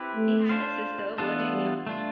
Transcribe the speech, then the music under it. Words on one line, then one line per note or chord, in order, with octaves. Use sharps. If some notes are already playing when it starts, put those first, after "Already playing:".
He had a sister, Virginia.
Already playing: C4 E4 G4 B4 E5
A3
D4 F4 C5 F5
E3 B3 D4 F4 A4
G3
A3 D4 F4